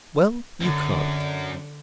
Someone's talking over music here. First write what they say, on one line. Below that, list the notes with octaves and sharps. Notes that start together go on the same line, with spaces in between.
Well, you can't.
F#2 D3